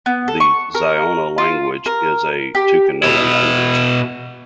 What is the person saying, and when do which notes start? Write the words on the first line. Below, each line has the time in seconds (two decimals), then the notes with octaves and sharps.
The Siona language is a Tucanoan language.
0.06 B3
0.28 A4
0.40 C#6
0.75 A#4
1.38 F4
1.86 A#4
2.55 G4
3.04 B2 E4